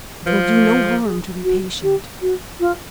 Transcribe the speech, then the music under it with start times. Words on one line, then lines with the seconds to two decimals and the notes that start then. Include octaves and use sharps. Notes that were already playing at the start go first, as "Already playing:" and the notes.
It will do no harm to be patient.
0.26 F3 B4
0.65 A#4
0.84 A4
1.04 G#4
1.43 F#4
1.82 G4
2.21 F#4
2.59 F4